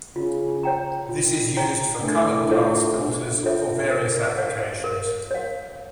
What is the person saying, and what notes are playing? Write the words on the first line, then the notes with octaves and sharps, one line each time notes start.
This is used for colored glass filters for various applications.
C#3 F4
C#5 G5 A#5
F4
C#5 G5 A#5
A2 D4
F4 A4 C#5 E5
D4
F4 A4 C#5 E5
A#4
C#5 F5
A#4
C#5 F5